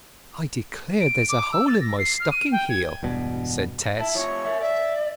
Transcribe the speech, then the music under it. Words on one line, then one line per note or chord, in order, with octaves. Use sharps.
"I declare there's a hole in my stocking-heel!" said Tess.
D7
D6
E6
A6
A#6
C7
F6
D#7
G5
G#6
E1 G2 B2
E4 A5
C3 F3 C#5
A#4 E5
D5 E5